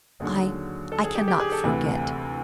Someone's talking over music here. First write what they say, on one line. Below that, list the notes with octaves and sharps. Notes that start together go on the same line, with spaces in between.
"I--I cannot forget."
D#2 D3 F#3 G#4
A4
G#4
G4
G4
G#4
A4
D2 C3 E3 B4